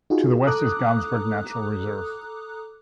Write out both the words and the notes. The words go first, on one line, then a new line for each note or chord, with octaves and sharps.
To the west is Gamsberg Nature Reserve.
D#4 F4 F#4 G#4
A4 A#5 D6 D#6 F#6